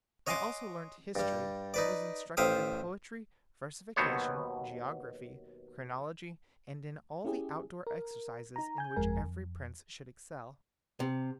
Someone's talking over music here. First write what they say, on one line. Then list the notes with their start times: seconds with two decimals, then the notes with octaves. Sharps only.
I also learnt history, and was instructed in poetry, versification, geography, chronology, and in all the outdoor exercises in which every prince should excel.
0.27 C#5 D#5 F#5 G#5 C6 D6
1.15 G2 G3
1.74 D#4 B4 D5
2.37 A1 C5 E5 F5 G5 D#6
3.96 D#2 B2 F#3 B3 C5 C#5
7.25 C#4 E4 G4 G#4
7.87 A#4
8.56 D#4 A#5
8.78 G#5 G6
8.96 G1 F2 G#3 A#4 G#5
9.24 F2
11.00 C3